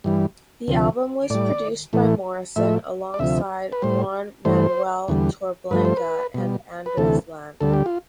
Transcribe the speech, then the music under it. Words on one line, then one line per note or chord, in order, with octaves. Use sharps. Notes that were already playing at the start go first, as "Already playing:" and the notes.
The album was produced by Morrison alongside Juan Manuel Torreblanca and Andres Landon.
G2 E3 G3
D2 C3 F3
A2 G3 D5
A2 E3 A3
A2 F3 A3 E5
D5
D2 C3 F3 E5
B4
A2 G3 C5
G2 E3 A3 C5
E2 D3 G3
G2 F3 A3 B4
C5
B4
B2 G3
B4
D2 C3 E3 A3 A4
D2 D3 G3 A4
G4
F4